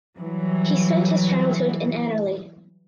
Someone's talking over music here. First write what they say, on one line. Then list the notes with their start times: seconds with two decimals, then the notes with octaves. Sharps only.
He spent his childhood in Annerley.
0.19 E3 F#3 G3